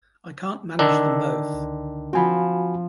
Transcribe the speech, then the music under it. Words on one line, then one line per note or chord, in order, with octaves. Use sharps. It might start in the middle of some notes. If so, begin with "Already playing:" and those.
I can't manage them both.
D3 D#3 D4 E6
C#2
F3 C4 F#4 G#5 B5